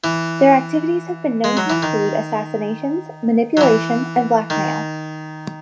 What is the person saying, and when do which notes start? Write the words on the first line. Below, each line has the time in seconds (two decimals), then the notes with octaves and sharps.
Their activities have been known to include assassinations, manipulation and blackmail.
0.04 E3
1.44 G#3
1.57 F#3
1.70 E3
1.83 D#3
3.57 F#3
3.61 E3
4.50 D#3